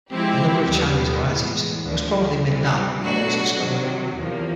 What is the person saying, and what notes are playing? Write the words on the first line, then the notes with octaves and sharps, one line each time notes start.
A number of Chinese varieties, most prominently Min Nan, are also spoken.
F3 G#3 C4 E4 G4
D#2 D3 G3 B3
A2 E3 G#3 B3
D2 D3 F3
C3 E3 G3
B2 F#3 A3 D4 F#4
C3 D#3 F#3
E2 C3 F3 A#3